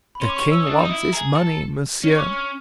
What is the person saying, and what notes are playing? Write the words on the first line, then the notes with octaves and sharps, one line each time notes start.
"The king wants his money, monsieur."
B5
C#4 C6
D6
C#6
E6
D4 D#6
D#4 D6
E4 D#6
G#4 A#5
A4
C#4
C#6
D6
F6